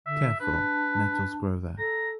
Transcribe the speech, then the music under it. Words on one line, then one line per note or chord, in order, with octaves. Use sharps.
Careful, nettles grow there.
D3 E5
D4 B4
A4 A#5